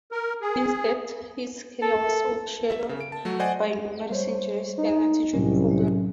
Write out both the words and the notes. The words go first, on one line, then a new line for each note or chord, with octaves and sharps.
Instead, his career was overshadowed by numerous injuries and attitude problems.
A#4
G#4
A4
E5
C#3
D7
A5
F#3 A3 F#4
C5 D5 D#5 F#5 G#5
G3 C5 C#5
D#4
C2 A2 F#3 C#4